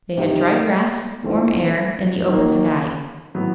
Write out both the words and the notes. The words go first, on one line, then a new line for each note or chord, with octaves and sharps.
They had dry grass, warm air and the open sky.
C3 D#3 G3
E3 A3 C4 F4
D#3 F#3 A#3
A2 F#3 B3